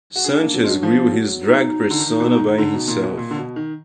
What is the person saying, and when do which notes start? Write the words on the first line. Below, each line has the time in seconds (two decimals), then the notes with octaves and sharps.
Sanchez grew his drag persona by himself.
0.15 F#4
0.24 D4 G#4
0.39 A#3
0.54 F#3
0.64 G#3
0.69 F#3
0.83 F3
1.12 F#3
1.42 D#4
1.90 D3
2.00 D#3
2.20 B2
2.39 D#3
2.58 D3
2.74 B2
2.88 A#2
3.02 B2
3.18 A#2
3.31 D3
3.37 B2
3.56 D#3